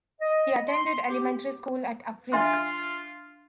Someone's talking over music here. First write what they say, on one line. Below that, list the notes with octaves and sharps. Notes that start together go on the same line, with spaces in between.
He attended elementary school in Avrig.
D#5
C6
G4
D4 F4 E5 C6